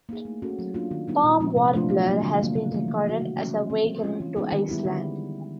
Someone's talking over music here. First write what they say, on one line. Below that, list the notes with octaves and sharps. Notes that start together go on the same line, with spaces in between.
Palm warbler has been recorded as a vagrant to Iceland.
A#3 D#4 G#4
A3
C#4 F#4 A4
F#3
A#3 D4 F4
D#3
G3 B3 D#4
A#2
F3 G#3 C4
C3
F3 A3 D4 F4
F#3
A#3 D4
D3
G3 A#3
C#3
E3 A3
F3
A#3 D#4 F#4
C#3
F#3 A#3 C#4
E3
G3 C4
F3
G#3 C#4 F4
E3
G#3 B3 D#4 G#4
D#3
G3 B3 E4 G4
D3